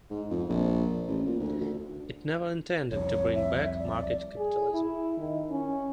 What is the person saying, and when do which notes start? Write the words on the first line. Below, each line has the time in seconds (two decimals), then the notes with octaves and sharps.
It never intended to bring back market capitalism.
0.10 G#2
0.31 F2
0.49 A#1
1.08 A1
1.27 A#2
1.40 D2
1.61 D2
2.92 C2 F2 C3 C#5
3.35 E5
3.80 D5
4.37 G#4
4.73 E4
5.17 D#3
5.50 C#4